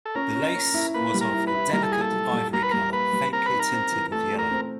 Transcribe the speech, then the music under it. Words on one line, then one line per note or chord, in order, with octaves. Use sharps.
The lace was of a delicate ivory color, faintly tinted with yellow.
A4
C#4 A#4
C#4
C#4
E4
A#3 B4
G3
A#4
E4
B4
E4
G3 A#4
A4
A#3 G#4
A4
G3
G3
G3 A#4
B4
G3 A#4
A#3 B4
G3
C4 A#4
B4
D#4
A#4
C4
E3
A3 A4
A3
A#4
C4